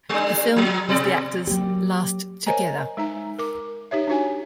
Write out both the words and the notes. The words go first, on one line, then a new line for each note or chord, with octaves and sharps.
The film was the actors' last together.
G3 D4
F3
B2 D5
F#3 A#3 G4
A#4 C5 C#5 D#5 G#5 A#5
G#3 D#4 A#5
A#4 D6
D#4 G4 C#5 E5
D4 D#4 F#4 C#5 G#5